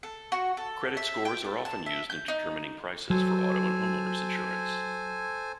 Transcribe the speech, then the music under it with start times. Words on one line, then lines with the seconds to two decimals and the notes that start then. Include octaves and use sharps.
Credit scores are often used in determining prices for auto and homeowner's insurance.
0.03 A4
0.32 F#4
0.57 A4
0.97 E5
1.25 G5
1.44 A4
1.65 A5
1.86 E5
2.10 G6
2.28 D#4
3.10 F#3 A4 C5 G#5